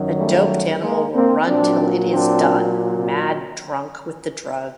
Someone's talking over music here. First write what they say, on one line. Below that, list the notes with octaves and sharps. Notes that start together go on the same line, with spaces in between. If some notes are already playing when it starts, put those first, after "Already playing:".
A doped animal will run till it is done, mad drunk with the drug.
Already playing: F#2 D#3 F#3
G3 A3
G#3 A#3
A#3 C4
A#2 F#3 C4 D4
C4 D4